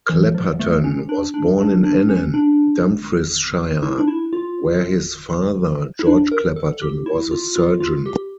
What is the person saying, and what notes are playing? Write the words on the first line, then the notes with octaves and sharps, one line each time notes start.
Clapperton was born in Annan, Dumfriesshire, where his father, George Clapperton, was a surgeon.
E3
F3
A3
C#4
D4
D4
D4
D4
C#4
D4
E4
D4
E4
F4
E4
D4
A#4
A4
G4
E4
F4
F4
F4
G4